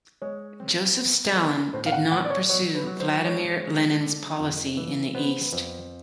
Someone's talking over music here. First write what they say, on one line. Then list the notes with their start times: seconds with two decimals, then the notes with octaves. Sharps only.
Joseph Stalin did not pursue Vladimir Lenin's policy in the East.
0.22 G#3 C#5
0.60 C4
0.97 B3
1.36 B3
1.73 A2 C5
1.86 F5
1.92 F#5
2.11 A2 F#5
2.25 D5
2.30 C#5
2.49 F#3 C#5
2.75 B4
2.87 F#3
3.00 C5
3.25 G#3 C#5
3.63 G#3
4.01 D3
4.39 F2
4.77 E3
5.15 B3 C5
5.23 B4
5.31 C5
5.43 B4
5.53 F2 C5